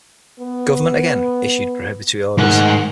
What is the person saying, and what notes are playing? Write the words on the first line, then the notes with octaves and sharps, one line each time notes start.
Government again issued prohibitory orders.
B3
G#2 D#3 F#5